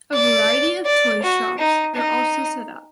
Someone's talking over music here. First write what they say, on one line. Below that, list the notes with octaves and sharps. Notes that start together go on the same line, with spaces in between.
A variety of toy shops are also set up.
D5
D5
F#4
D#4
D#4